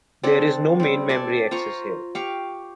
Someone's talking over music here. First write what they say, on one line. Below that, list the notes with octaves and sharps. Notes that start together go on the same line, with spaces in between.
There is no main memory access here.
C4 D4 G#4 A4
G3 C4
A4 D5 G#5
F4 C5 A#5 C#6
G4 F5 C#6